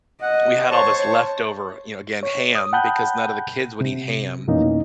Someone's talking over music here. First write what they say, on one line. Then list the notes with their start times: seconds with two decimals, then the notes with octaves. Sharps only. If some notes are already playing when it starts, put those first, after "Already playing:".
we had all this leftover, you know, again, ham, because none of the kids would eat ham;
0.22 D#5 F#5
0.71 C5 C#5 A5 C#6
2.23 C#5
2.55 D#6
2.73 F#5 G5 A5 B5 F#6 G6
3.81 C3
4.47 F2 B2 E3 A#3 C#4 D#4